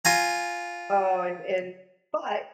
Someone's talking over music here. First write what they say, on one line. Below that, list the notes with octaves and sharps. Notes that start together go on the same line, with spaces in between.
Oh, and and but
F4 G#5 A#5